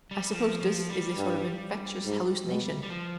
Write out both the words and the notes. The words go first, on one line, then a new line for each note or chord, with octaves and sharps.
I suppose this is a sort of infectious hallucination.
G3
F3
F3
G3
G2
G#2
B2
G3
F3